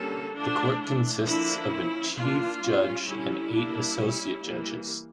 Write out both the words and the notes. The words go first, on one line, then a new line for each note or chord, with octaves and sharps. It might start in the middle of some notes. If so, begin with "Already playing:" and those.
The court consists of a chief judge and eight associate judges.
Already playing: D3 G3 A#3 C#4 A4
D3 F3 A3 D4
E3 A3 D4
D3 F3 A#3 D4 E4
F3 C#4
E3 A#3 D4 F4
G3 C#4
D3 G3 C#4 E4
G3 A#3 D4
G3 C#4
E3 G3 A#3